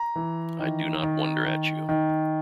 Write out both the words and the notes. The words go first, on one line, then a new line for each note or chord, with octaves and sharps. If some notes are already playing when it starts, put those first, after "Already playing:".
I do not wonder at you.
Already playing: A#5
E3
D#3
D#3
D#3
D#3